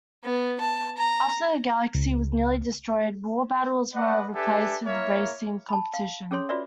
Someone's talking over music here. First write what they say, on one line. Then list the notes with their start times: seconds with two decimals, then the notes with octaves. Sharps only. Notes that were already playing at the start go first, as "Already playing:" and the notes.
After the galaxy was nearly destroyed, war battles were replaced with racing competition.
0.24 B3
0.60 A5
0.98 A#5
1.95 C#2
3.94 B4 D5 D#5 F#5
4.34 D4 G4 A4 B4 E5 G#5
4.85 A#3 E4 A#4 C#5 E5 F5
5.69 A5 B5
5.94 F5
6.31 C#4 G#4 A4 C#5 C6
6.49 F4 F#4 B4 D5 E5